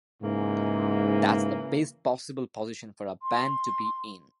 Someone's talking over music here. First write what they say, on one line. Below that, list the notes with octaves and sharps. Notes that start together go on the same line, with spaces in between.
That's the best possible position for a band to be in.
G#2 C#3 E3 A#3
C6